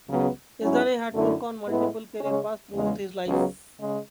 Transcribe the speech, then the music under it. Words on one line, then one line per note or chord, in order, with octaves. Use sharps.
Yazdani had took on multiple career paths throughout his life.
C#2 C#3 F#3 B3
G#2 F#3 C#4 E4
F#2 D3 A3 E4
A2 G#3 B3 E4
C#3 G#3 C#4
E2 C#3 G#3
C#2 C#3 F#3 B3
C#3 G#3